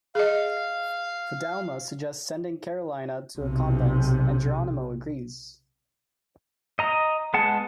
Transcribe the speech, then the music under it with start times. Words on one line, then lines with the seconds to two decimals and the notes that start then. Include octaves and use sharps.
Fidalma suggests sending Carolina to a convent, and Geronimo agrees.
0.15 G#4 D#5 F5
3.38 B1 C3
6.79 D#5 A#5
7.34 G#3 B3 G#4 F#5 A5